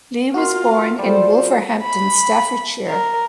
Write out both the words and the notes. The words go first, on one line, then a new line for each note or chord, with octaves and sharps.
Lea was born in Wolverhampton, Staffordshire.
F4 F#4 A#4 F5 C6
G3 F4 A4 C5
B5
A#4